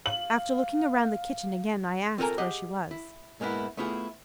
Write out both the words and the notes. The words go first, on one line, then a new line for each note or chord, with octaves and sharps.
After looking round the kitchen again, I asked where she was.
F5 F#7
C4 F4 A4 A#4 G#5 A#5
G4 G#4 D#5 F#5
E4
G#2 G#3 A#3 B3 E4
A3 B3 E4 F4 G#4